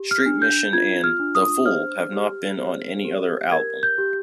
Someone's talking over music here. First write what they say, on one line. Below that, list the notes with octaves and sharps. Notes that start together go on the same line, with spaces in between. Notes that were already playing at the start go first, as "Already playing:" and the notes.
"Street Mission" and "The Fool" have not been on any other album.
Already playing: G4
F6
D4
G6
F4 G#6
F6
D4
D#6
C5 F6
G4
C5
G4
A#4 G#6
G6
G4